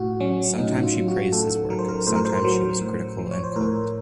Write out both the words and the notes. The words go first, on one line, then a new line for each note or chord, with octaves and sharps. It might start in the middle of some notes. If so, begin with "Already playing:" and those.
Sometimes she praised his work; sometimes she was critical and cold.
Already playing: A2 F#4
F#3 C#4
A2 D#4
F4
F#3
F#4
A2 A4
F#3 A#4
C5
A#4
A2 C5
A#4
C5
F#3
A2
F3
C#5
C5
A2 A#4